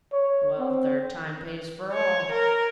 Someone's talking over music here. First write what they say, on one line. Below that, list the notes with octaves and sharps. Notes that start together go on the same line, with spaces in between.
'Well, third time pays for all.
C#5
C4
C#5
A#4